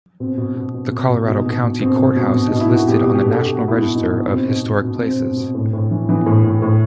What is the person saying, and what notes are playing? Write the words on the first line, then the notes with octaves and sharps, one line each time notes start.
The Colorado County Courthouse is listed on the National Register of Historic Places.
B2 C4
B2
B2
B2
B2
B2
B2 D#4
B2
B2
B2 C4
B2
B2
B2
D#4
B2
E4
B2 F#4
B2 G4
G4
B2
G4
B2
A4
B2 G4
F#4
B2
E4
B2
E4
B2 D#4
B2 D#4
B2 C4
B2 D#4
B2
B2
B2 C4
B2
B2
A2
A2
E3
E3 B3
A2
A2
A2